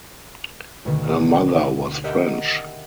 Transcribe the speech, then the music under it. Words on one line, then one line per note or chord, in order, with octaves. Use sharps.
Her mother was French.
D2 B2 D3 D#3
G4 A#4 D#5 E5 F#5 G5